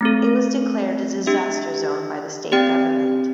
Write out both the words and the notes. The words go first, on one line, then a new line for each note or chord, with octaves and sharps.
It was declared a disaster zone by the State Government.
A3 C4 A4
D4 G4 E5
C4 G4 D5 G5